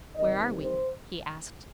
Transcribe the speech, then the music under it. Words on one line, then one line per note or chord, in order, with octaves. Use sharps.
'Where are we?' he asked.
C3 D#3 G3 D#5
C5